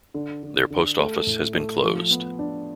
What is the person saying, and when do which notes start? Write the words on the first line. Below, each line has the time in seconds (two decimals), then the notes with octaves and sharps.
Their post office has been closed.
0.14 D3
0.43 D3
0.70 D3
0.99 A3
1.27 A2
1.55 A3
1.83 F3
2.11 B3
2.39 D4